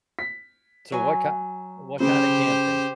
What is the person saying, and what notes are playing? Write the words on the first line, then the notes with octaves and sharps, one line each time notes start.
So what kind what kinda camping?
B6
F#3 G#5
C#3 G4 C5